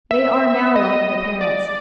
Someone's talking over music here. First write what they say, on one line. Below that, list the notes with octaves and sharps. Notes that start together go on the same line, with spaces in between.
They are now like their parents.
E5
D#5
D5